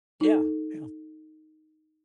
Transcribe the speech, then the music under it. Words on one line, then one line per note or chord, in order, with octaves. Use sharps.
Yeah. Yeah.
D#4 A4